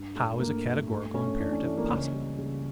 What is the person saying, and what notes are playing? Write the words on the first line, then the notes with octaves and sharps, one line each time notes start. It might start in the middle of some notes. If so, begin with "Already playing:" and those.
How is a Categorical Imperative Possible?
Already playing: G2
A3
G2 A#3
A3
A#3
A3
A3 C#4
C#4
E3 D4
C#4
E3 A3
A#3
C#2 C#4
G3
C#3